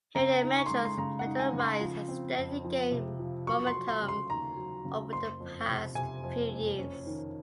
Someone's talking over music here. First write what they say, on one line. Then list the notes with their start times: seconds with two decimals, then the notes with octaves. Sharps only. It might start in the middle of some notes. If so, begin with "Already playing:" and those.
Harian Metro's meteoric rise has steadily gained momentum over the past few years.
0.15 C#3 A#5
0.43 D#4
0.56 C#6
0.66 G#3 C6
0.77 A#5
0.85 C6
0.98 C#3 A#5
1.19 F#5
1.26 D#4
1.39 G#5
1.53 C#3
1.60 C6
1.81 F3
2.08 C4
2.37 F2
2.64 F3
2.92 C3
3.19 F3
3.47 F#3 C#6
3.67 C6
3.74 F#3
3.88 C6
4.02 C#3
4.08 C6
4.30 D#2 A#5
4.57 F#3
4.85 C#3
5.12 F#1 C6
5.40 F2
5.68 C3
5.95 C3 G#5
6.23 F2
6.51 F#1
6.78 C#4
7.07 D#3